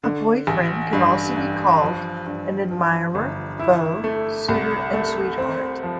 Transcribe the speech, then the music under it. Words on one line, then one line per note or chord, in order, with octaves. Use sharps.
A boyfriend can also be called an admirer, beau, suitor and sweetheart.
D3
A1
G2
G2
F3
G2
F3
G1
E4
A3
C2
A3
C4
F3